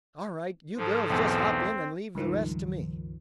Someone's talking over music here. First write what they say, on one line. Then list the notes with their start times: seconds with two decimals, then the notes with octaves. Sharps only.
"All right; you girls just hop in, and leave the rest to me."
0.77 G#2 F3 A4 C5
1.10 B1 E2 C4
2.15 C#2 G2 D#3 F3